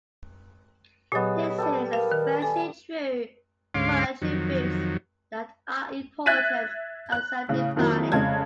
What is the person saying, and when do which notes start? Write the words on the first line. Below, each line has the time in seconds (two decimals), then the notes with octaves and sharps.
This is especially true for attributes that are important and self-defining.
1.12 A#2 F#3 B3 G4 G#4 C#5 D#5
1.58 G3 A4 B4 G5 A5
1.93 A#4 F5
2.12 D#3
2.42 A4 G#5
3.75 D2 G#2 C#4 F5 C6 D6
4.22 F2 D#3 F#3
6.26 E5 F#6 G#6 A6 B6 D#7
7.12 F#6
7.48 A2 C#3
7.76 F2 D#3 F#3 A#3 E4
8.12 F1 C#3 G#3 A5 G#6